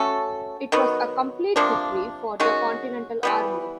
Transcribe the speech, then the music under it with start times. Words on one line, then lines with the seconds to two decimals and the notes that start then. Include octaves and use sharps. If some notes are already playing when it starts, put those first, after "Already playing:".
It was a complete victory for the Continental Army.
Already playing: A3 C#4 F#4 A4
0.72 D#3 F#3 B3
1.56 C3 F3 A#3 D4
2.40 D#3 G#3 C#4 F#4
3.23 E3 G3 B3